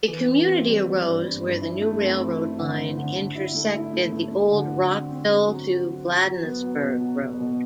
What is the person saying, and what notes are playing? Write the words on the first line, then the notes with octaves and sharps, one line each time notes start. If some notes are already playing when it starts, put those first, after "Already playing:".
A community arose where the new railroad line intersected the old Rockville-to-Bladensburg road.
E3
C4
C4
G3
G3
G2
G2
G2
E4
A3
C4
E4
E4
D3
D3
D3
D3
E4
A3
E4
A3
A3
A3
D3
F#4
C4
C4
C4
F#3
F#3
F#4
F#3
F#3
B3
F#3
B2
F#3
B2
B2